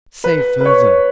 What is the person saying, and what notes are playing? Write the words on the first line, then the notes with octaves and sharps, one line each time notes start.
Say further.
B4
B4
C#5